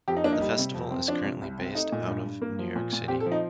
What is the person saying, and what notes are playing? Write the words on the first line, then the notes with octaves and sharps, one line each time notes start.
The Festival is currently based out of New York City.
F2 G4
D#4
A#3 D4
D#4
G3
C3
F2
C4
F3 D4
C3
C2
C4
A3 D#4
A#2
G2
G2
A#3
F3
A#2
A#2
C4 G4
A4
F3
D#4